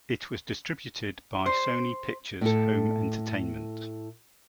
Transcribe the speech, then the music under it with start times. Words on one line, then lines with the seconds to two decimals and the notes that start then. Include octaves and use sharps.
It was distributed by Sony Pictures Home Entertainment.
1.46 C5
2.41 A2 A4